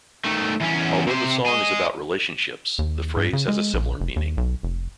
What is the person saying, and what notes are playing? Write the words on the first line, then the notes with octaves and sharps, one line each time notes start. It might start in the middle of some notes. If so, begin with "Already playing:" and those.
Although the song is about relationships, the phrase has a similar meaning.
D#3 A3
E2 C#4
C3 C5
G#4 D#5
D#2
G2
C#3
G#3
A#1
F1
D#2
B1
F1